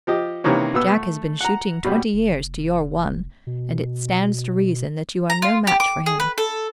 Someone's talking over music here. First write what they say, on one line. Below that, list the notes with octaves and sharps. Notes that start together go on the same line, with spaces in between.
Jack has been shooting twenty years to your one, and it stands to reason that you are no match for him.
F3 G4 D#5
C3 D#3 E3 A#3 C#4
B2 B3 E6
A3
F#5 A#5
B2 F#3 G3
F1
B2
A#5
F4
G4
D6
G#4
B4
A4